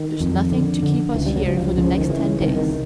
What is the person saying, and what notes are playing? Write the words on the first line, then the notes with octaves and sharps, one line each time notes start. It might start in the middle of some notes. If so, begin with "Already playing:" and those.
There's nothing to keep us here for the next ten days.
Already playing: D#3
F2
D3
D3
C#2 E3
G3
F#3
C#2
F3
C#3 F3
D#3
C#3 E3
C2 D#3
D#3